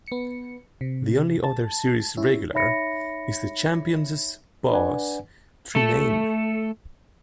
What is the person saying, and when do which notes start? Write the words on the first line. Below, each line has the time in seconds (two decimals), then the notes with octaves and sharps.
The only other series regular is the Champions' boss, Tremayne.
0.08 B3 C#7
0.81 C3
1.44 A5
2.17 C#4 E4
2.53 D#4 C#5 E5 B5 A#6 C#7
4.71 D4 B4 D5 F#5 G#5
5.75 A3 A4